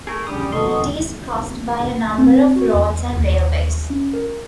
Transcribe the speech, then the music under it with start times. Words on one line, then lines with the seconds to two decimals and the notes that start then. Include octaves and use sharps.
It is crossed by a number of roads and railways.
0.07 A3 G#4 A#4
0.27 G3 C#4 D4 G4 G#4 D#6
0.40 F#2 G3 G5
0.52 F#3 B3 A4 D#5 C6 C#6
0.68 D#5
2.18 C4
2.56 F#4
2.73 E2
3.17 D#2
3.90 C#4
4.13 A#4